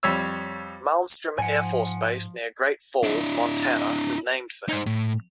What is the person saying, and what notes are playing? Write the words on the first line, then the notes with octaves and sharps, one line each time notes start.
Malmstrom Air Force Base near Great Falls, Montana is named for him.
F2 G3 C#5 E6
G#2 F3 F#5 G#5
D4 E4
D#4 C5
A2